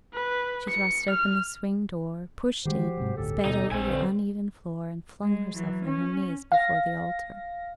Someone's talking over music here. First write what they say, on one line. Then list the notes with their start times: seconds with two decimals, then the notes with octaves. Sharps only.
She thrust open the swing-door, pushed in, sped over the uneven floor, and flung herself on her knees before the altar.
0.14 B4
0.69 C#7
1.11 F6
2.65 D#3 G3 G#3 F#4 G4 C5
2.97 G#2 C3 F#3
3.16 G1 D2 A2 C#4 G4 A4
3.45 D#2 B2 D#3 D#4
3.72 A#1 C4 G#5 E6
3.86 G2 D3
5.24 G#3
5.55 E3 F#3
5.85 C#4
6.52 F5 A#6